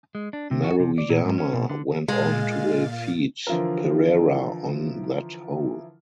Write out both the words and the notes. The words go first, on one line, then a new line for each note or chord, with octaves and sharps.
Maruyama went on to defeat Perera on that hole.
G#3
D4
C3
F#4
C3
D5
A#2
G#2
C#4
B2
D3
A#2 G#3 F5 A6
D3 E3 F3 E4 F4 A#4